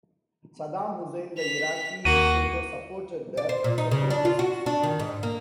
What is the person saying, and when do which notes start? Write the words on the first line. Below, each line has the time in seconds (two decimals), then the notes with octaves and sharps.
Saddam Hussein, the Iraqi dictator, supported the separatists.
1.38 B6 F7
2.05 D#2 A#3 F#4 D#7
3.37 D5
3.49 C5
3.64 A#2
3.78 D#4
3.91 C#3
4.10 D4
4.25 F4
4.39 F#4
4.66 D4
4.83 D#3
4.99 G#2
5.23 A#3